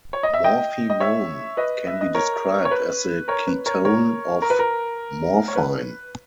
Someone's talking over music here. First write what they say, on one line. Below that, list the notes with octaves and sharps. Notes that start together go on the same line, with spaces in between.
Morphinone can be described as the ketone of morphine.
C#5
D#5
E5
D#5 G5
D#5
C#5 E5
B4 D#5
E5
D#5
A#4 C#5
C#5
B4
A#4 C#5
B4
A#4 C#5
A#4 C#5
A#4
B4
A#4
C#5
B4